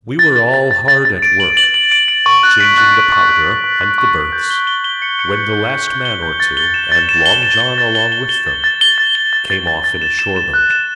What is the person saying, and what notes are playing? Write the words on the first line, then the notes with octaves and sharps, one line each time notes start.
We were all hard at work, changing the powder and the berths, when the last man or two, and Long John along with them, came off in a shore-boat.
A6
A6
A6
A6
A6
A6
D7
F#7
F#7
F#7
D7
D7
C#6
F#6
B6
F#6
B6
C#6
F#6
C#6
C#6
C#6
C#6
C#6
G6
G7
G7
G7
C#7
C#7
G6
G6
G6
G6
G7
G6
A6
G7
E7
A6
E7
G7
E7
G7
A6
G7
G7
G7
A6
A6
G7
A6
G7
A6
A6
A6
A6
E7
E7
E7
F#6
E7